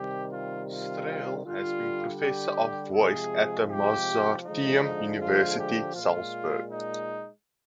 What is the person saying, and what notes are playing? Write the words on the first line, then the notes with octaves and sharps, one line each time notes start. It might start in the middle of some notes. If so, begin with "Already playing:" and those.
Strehl has been professor of voice at the Mozarteum University Salzburg.
Already playing: C3 D#3 G3 G4
F4
F4
D3 G3 F4
G4
C3 F3 G#3 G#4
G4
D3 F3 G#3 D#4
F4
G4
A#2 G#3 F4
D#4